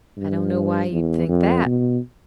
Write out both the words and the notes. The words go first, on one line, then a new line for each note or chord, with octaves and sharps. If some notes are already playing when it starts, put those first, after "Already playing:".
"I don't know why you'd think that."
G2
E2
F2
B2